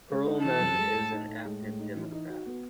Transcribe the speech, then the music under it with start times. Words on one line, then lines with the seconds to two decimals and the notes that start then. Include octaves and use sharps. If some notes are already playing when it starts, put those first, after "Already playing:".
Perlman is an active Democrat.
0.10 G#3
0.26 D#4
0.44 E3 A4
0.60 F#2
0.78 G#3
0.95 A2
1.12 D#4
1.28 A2
1.45 G#3
1.62 A2
1.79 D#4
1.96 E3
2.12 D#4
2.29 F#4
2.46 B3